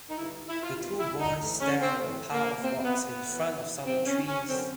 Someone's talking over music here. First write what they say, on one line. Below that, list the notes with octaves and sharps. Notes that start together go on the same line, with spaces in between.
The two boys stand on a pile of rocks in front of some trees.
D#4
G2 D3 E4
E4
F4
E2 C3 D#3 F4
E4
D#4
A2 E3
C#4
C4
A2 E3
A#3
E2 B2 C4
C4
B3
B3
A2 E3
F#2 D#3 C4
C#4
C#4
F#2 D3 C4